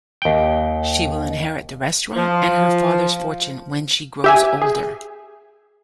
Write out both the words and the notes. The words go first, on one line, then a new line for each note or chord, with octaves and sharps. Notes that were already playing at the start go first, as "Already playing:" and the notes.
She will inherit the restaurant and her father's fortune when she grows older.
D#2 G5
F3
G4 E5 G#5
G#4